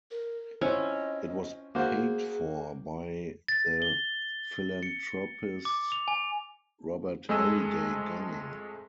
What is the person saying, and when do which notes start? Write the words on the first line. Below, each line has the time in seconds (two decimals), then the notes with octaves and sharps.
It was paid for by the philanthropist Robert Halliday Gunning.
0.11 A#4
0.61 F3 C4 C#4 E4 D#5
1.75 A#3 F#4 G#4 C5
3.48 A6
3.82 G7
4.83 C#7
5.65 D6
5.92 F7
6.08 G#5
7.29 F2 G#3 A3 D#5 G#5 E6